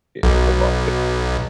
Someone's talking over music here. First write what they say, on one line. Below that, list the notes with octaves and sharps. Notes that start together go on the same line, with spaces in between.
Yeah, come on.
B1